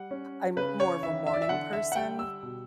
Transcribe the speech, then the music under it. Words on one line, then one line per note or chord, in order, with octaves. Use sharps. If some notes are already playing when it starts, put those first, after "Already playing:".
I'm more of a morning person
Already playing: G3 F#5
C#4
C#3 B4
C#5
E3 E5
E5
D5
E5
D3 F#5
E5
F#5
G3 G5
E6
B2